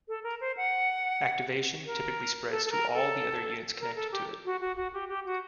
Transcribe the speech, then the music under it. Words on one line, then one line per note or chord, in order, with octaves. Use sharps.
Activation typically spreads to all the other units connected to it.
A4
A#4
C5
F#5
A#4
A4
A4
A#4
A4
A#4
A4
G4
F#4
F#4
F#4
G4
G4
F#4